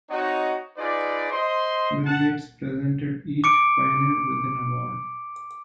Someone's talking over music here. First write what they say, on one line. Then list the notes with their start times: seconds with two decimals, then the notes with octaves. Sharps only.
Bill Gates presented each pioneer with an award.
0.10 C4 D#4 F#4 C#5 D#5 F#5
0.77 D#4 F4 G#4 B4 D5
1.31 C5 D#5 C6
2.05 F#5 A5
3.44 D6 C#7 D7